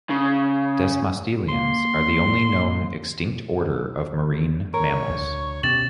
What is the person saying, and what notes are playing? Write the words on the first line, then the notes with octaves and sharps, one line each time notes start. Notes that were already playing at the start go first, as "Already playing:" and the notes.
Desmostylians are the only known extinct order of marine mammals.
C#3
A#3 C6
A#4 C#5
D2
B2 C#4 G4 A6 E7 F#7